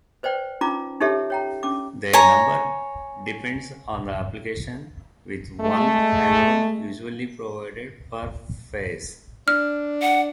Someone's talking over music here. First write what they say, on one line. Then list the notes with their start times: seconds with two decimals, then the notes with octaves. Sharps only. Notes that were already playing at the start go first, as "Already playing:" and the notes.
Their number depends on the application, with one anode usually provided per phase.
0.23 B4 C5 D5 G5
0.61 C#4 D#4 F4 A#5 D6
1.01 D#4 G4 A4 C#5 E5
1.30 C#5 G5 A#5
1.63 C#4 D6
2.13 C#5 G#5 A#5
5.61 G#3 A3
9.48 D4 F6
10.02 F#5